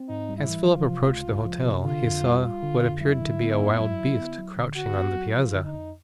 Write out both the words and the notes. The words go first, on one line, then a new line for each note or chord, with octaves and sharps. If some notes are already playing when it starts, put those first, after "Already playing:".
As Philip approached the hotel he saw what appeared to be a wild beast crouching on the piazza.
Already playing: C4
G#2 D#4
G3
E4
E3
F3 F4
C3
C#2
C#2
F3
C3
D3 F4
F2
G3
G1 F4
D3
F2
F#3 E4
D3
B3
F#2
F#3
D3
B3
F#3
D3
D3 F#4
B3
F#3
F3 F4
D3
D#4
F2